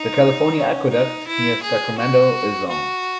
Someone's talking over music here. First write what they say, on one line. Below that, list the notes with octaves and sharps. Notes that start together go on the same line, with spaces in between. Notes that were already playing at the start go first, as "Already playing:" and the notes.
The California Aqueduct, near Sacramento, is long.
Already playing: D#4
C#4
D#4
E4
G#4
F#4
F#4